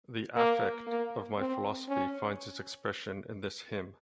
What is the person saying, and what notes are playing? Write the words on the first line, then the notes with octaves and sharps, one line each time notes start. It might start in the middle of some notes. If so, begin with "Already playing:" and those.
The affect of my philosophy finds its expression in this hymn.
A#3
A#3
C4
C#4